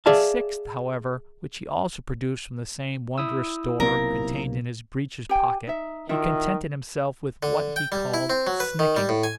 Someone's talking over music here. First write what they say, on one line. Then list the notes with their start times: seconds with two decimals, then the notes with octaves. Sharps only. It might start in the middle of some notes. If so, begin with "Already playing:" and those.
The sixth, however, which he also produced from the same wondrous store contained in his breeches pocket, he contented himself with what he called "snicking."
0.06 G#4 D5 E5 F5 A5
3.18 E4 D#6 E6
3.80 B1 C3 A#3 A#4
5.29 G4 G5 G#5
5.67 D#4 E5
6.09 D#3 E4 F4 E5
7.43 D3
7.76 G5
7.92 G3
8.14 E4
8.30 C4
8.47 F#3
8.60 B4
8.79 D#3
8.96 G3
9.09 A2
9.24 G#5